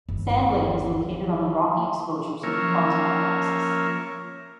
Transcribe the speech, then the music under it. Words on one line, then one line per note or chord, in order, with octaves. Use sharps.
Sand Lake is located on the rocky exposures of the Frontenac Axis.
G1 D#2
F3 A#3 C#4 A#4 C#5 E5